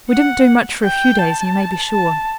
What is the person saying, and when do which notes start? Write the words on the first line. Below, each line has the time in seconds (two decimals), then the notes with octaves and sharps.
We didn't do much for a few days, you may be sure.
0.11 F#5
0.83 G5
1.19 A5
1.90 A5